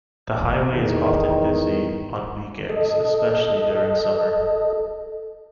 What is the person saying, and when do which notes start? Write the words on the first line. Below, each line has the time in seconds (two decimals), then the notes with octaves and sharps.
The highway is often busy on weekends, especially during summer.
0.70 E2 D#3
2.70 A4 D#5